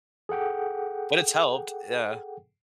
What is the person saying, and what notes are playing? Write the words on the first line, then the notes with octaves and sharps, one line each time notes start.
But it's helped, yeah.
G#4 A4 F#5 G5